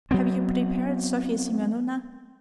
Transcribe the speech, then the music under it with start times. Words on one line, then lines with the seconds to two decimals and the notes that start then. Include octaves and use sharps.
"Have you prepared Sofya Semyonovna?"
0.11 F#3 B3 C4